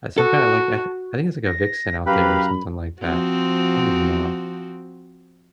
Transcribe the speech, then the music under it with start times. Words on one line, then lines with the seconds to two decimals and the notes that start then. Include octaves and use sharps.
like, some kinda, like, I I think it's like a vixen out there or something like that. I don't even know.
0.18 F#4 A4
1.45 A#6
2.06 F#2 G4 B4 F5 A#5 B5
3.01 F3 C4 F#4